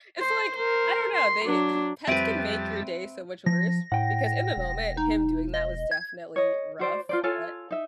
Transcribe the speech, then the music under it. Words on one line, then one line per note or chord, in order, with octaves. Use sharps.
it's like I don't know, they uh, pets can make your day so much worse because in the moment, him doing that was definitely rough, but
C5
A#4 C5
C6
F#3 D4
F2 G3 C4 B4 E5 A5 D7 D#7
F3 A#6
A2 F#5 G5
E1
D#4
D#5
G#6
C#5 D#5
F#4 C5 D5
F4 C5 D5
F4 A4 C#5 G#5
D#4 E5